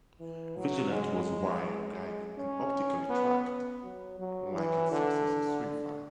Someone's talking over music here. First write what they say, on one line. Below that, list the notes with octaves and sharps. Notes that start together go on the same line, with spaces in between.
Vigilant was wire-guided and optically tracked, like its successor Swingfire.
E3
F#3
G#3
G#3
C#4
B3
F#3
F#3
E3
D3
D3